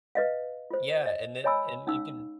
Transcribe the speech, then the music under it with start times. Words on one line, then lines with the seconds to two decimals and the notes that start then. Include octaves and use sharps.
Yeah, and then and you can
0.15 B4 D#5 F5
0.70 F4 C5
1.06 D#5
1.44 C#5 D#5 G#5 B5 E6
1.87 C#4 D#4 F5 E6